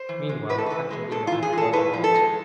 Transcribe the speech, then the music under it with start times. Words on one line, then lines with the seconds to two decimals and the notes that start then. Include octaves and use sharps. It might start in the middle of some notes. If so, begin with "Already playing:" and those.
Meanwhile Captain Nemo had called a halt.
Already playing: C5
0.09 E3
0.29 G#3
0.49 A2 B4
0.58 A4
0.66 E3 B4
0.91 G#3
1.11 G#2 A4
1.27 E3 F4
1.43 G#4
1.52 G#3
1.58 A4
1.73 A2 B4
1.93 F3
2.04 A4
2.14 G#3